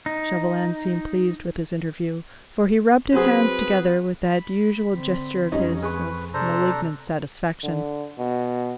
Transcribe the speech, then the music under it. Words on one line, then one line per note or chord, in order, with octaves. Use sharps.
Chauvelin seemed pleased with his interview, for he rubbed his hands together, with that usual gesture of his, of malignant satisfaction.
D#4
F#3 C4 G#4 B4
B5
D3 C4
F2 G3 C#4 D#4
G#4 B4 C#6
C3 D4 A4 C5 A#5
D3
B2